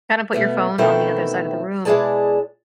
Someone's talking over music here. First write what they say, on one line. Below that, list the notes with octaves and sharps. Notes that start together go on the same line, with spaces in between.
kinda put your phone on the other side of the room.
B2 A3 B3
B2 D#3 E3 A3 C4 E4
B2 G#3 E4 G#4 D5 A5